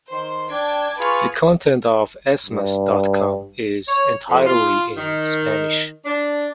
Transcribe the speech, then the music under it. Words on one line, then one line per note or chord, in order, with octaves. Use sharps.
The content of esmas dot com is entirely in Spanish.
D#3 C5 C6
D4 G5 A5 G#6
F4 G#4 B4 C#6 F6
G2
C#5
F2
F4
D#3
D4